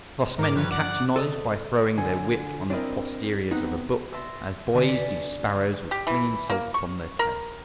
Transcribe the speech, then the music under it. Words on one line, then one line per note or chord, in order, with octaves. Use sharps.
Thus men catch knowledge by throwing their wit on the posteriors of a book, as boys do sparrows with flinging salt upon their tails.
G#2 A#4 D6
G2 F3 G3 B4 C#5
D5 F#5 D6
A4 D5 D#5
D3 G#5
C4 D4 E4 A#4 D5 D#5
B3 C4 D#4 F#5
E5 A5 C6 A#6
D3 G#5 A5 B6
G4
E3
A#3
C#6
A#4